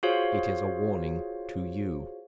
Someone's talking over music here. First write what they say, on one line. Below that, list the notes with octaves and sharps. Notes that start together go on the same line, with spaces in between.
It is a warning to you.
F4 F#4 G#4 C5 C#5 F5